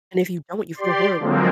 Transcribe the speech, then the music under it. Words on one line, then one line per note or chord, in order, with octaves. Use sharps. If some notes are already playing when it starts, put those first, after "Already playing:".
And if you don't, you feel horrible.
G4 D5 C6
D3 F3 F#3 G#3 A#3 C4